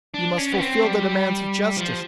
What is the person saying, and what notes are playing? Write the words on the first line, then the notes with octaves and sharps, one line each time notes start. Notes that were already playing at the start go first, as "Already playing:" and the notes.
You must fulfil the demands of justice.
D4
C#4
B3
C4
G3
F3